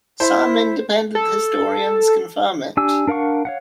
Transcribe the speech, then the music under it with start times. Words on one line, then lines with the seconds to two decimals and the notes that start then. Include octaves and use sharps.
Some independent historians confirm it.
0.20 E4 C5
1.15 A4
2.77 D4 G4 G#5 E6
3.07 D4 A#4 F5 F#5 C#6
3.45 C#5 F5 F#5